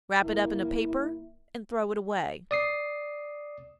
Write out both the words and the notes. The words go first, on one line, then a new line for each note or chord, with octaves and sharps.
Wrap it up in a paper, and throw it away.
G1 A#3 E4
D5 D#6 C7